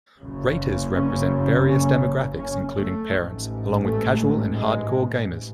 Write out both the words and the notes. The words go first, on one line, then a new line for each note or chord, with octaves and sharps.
Raters represent various demographics, including parents, along with casual and "hardcore" gamers.
F#1 F#2 C#3
C#4
C#4
C#4
A3
A1 G#2
A3
G#3